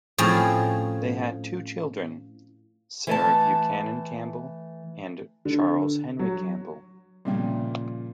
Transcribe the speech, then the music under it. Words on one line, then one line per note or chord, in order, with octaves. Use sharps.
They had two children: Sarah Buchanan Campbell, and Charles Henry Campbell.
A2 F3 C4 C#4 G#4
E3 A3 A5
D3
F#3
A#2 C#3 F3 G3 E5 G5